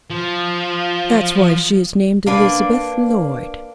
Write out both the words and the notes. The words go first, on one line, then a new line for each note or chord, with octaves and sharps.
That's why she is named Elizabeth Lloyd.
F3
A#3 D4 B4